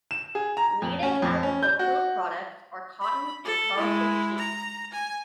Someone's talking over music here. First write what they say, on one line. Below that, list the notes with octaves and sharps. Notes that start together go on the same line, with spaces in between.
Leading agricultural products are cotton and Karakul sheep.
E7
G#4
A#5
F2
C#4
F2
C#4
G6
F#4
B5
A4
G#3 E4
A#5
G#5